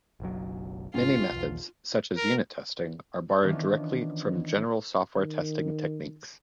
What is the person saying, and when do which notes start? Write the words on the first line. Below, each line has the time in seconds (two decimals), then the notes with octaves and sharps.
Many methods, such as unit testing, are borrowed directly from general software testing techniques.
0.20 F#1 B1 F#3
0.94 G1 G#2 C#4 F4
1.32 B1 E2
2.17 A#4
3.42 D#3 E3 B3 C#4 D4 F4
5.18 D#3